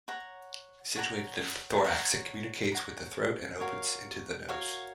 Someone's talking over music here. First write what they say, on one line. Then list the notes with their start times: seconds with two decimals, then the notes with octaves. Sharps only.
Situated in the thorax, it communicates with the throat and opens into the nose.
0.08 C#5 F#5 A#5
0.96 C#5 F#5 A#5
1.84 C#5 F#5 A#5
2.72 C#5 F#5 A#5
3.60 F#4 A#4 C#5 F5
4.49 F#4 A#4 C#5 F5